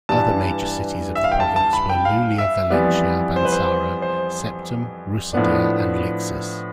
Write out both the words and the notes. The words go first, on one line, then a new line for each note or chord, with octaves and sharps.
Other major cities of the province were Iulia Valentia Banasa, Septem, Rusadir and Lixus.
G2 E3 G3 A5
E5
F5
G5
A5
A5
B5
G5
F5
E5
F2 E3 G3 B3 D5
C5
B4
C5
C5
A2 F3 B3 D4